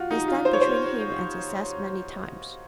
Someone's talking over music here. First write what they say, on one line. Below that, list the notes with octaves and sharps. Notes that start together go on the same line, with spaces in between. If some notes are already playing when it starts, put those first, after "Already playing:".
They stand between him and success many times.
Already playing: F4 F#4
D#4
F4
C5
C#5
C5